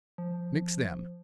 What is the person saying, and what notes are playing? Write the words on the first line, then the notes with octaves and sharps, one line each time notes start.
Mix them.
F3